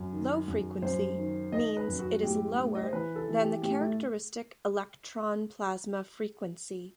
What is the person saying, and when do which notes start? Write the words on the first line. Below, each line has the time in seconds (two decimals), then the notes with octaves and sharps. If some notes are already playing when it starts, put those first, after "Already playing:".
Low-frequency means it is lower than the characteristic electron plasma frequency.
Already playing: F#2
0.13 D#3
0.48 F#2
0.82 F#2 C5
1.18 D#3
1.52 D#3 D#5
1.77 B4
1.88 F#2
1.99 F#4
2.23 A2 G4
2.57 A2
2.75 D#5
2.83 C5
2.93 E3 B4
3.16 A4
3.28 E3
3.39 G4
3.62 A2 G4
3.80 A3